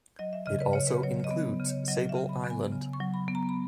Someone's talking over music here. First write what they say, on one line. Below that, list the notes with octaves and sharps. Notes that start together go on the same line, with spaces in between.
It also includes Sable Island.
F#3 D#5
E5
C#3 D#5
B4
C#3 C#5
B4
F#3 C#5
D#5
B3
C#3
C#5
F#3 D#5
E5
C#3
B5
B3
G#5
C#3
C#6
F#3
B5
B3
A#5
B5